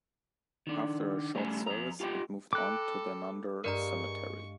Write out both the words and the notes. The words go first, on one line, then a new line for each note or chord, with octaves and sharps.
After a short service it moved on to the Nundah Cemetery.
D#3 D4
G3 A3 C#4 G#5 A#5
F2 A#5
F4 G4 A4 D#5 G5
A4 G5 B5 D6 F#6 A#6
G2 G#3 A#4 D5 F5 A#5 C#6